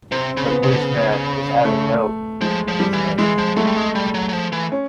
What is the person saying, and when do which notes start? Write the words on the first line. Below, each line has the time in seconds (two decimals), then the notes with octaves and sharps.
The policeman is having note in his hand.
0.12 C3 C4
0.37 C#3
0.50 B3
0.63 C#3
0.73 D3
0.83 C#3
1.65 A3
2.41 F3 G#3
2.68 F3
2.80 G3
2.93 E3
3.18 E3 G#3
3.38 F3
3.56 F#3 A3
3.67 G3
3.76 G#3
3.95 G3
4.14 F#3
4.29 F#3
4.33 F3
4.52 E3
4.72 C#4